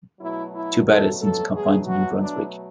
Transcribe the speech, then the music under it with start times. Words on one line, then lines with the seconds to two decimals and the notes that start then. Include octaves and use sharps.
Too bad it seems confined to New Brunswick.
0.21 B2 F#3 A3 E4
0.54 E4
0.88 A4
1.21 A4
1.54 G#4
1.87 F#4
2.22 D4